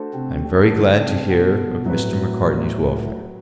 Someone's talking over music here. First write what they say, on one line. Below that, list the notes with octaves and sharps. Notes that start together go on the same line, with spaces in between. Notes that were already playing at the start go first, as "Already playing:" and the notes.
I am very glad to hear of Mr. Macartney's welfare.
Already playing: A3 D4 F#4 A4 C5
C3 C4
D3 D4
C3 C4
B2 B3
A2 F#3 A3 C4 F#4 B4